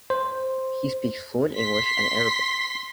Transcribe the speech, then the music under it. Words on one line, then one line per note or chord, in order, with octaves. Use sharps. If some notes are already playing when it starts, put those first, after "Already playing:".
He speaks fluent English and Arabic.
C5
C6 B6